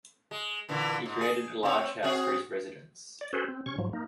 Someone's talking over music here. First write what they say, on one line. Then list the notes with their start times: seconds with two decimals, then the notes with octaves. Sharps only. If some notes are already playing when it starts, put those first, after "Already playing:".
He created a large house for his residence.
0.31 G#3
0.69 A#2 D3 E3
1.06 G#2
1.21 G#4
1.63 C4 E4 C#5
2.03 C4 F#4 G#4
3.21 D5
3.33 C#4 F#4 G#4 A4 B4 C5
3.48 C4
3.66 C3 C#4 C#6
3.78 G#2 F3 F#3
3.93 A#3 D#4